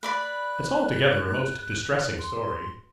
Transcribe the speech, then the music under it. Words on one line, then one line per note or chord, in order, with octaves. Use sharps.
It's altogether a most distressing story.
B4 D5 B5 F#6
C6